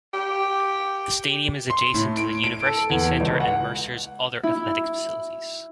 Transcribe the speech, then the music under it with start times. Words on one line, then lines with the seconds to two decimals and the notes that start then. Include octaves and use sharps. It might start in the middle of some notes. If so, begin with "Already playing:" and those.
The stadium is adjacent to the University Center and Mercer's other athletic facilities.
0.14 G4
1.70 C6
1.94 A2
2.17 D7
2.44 D7
2.66 A4
2.90 E2
3.20 C#2
3.40 F#5
4.43 E4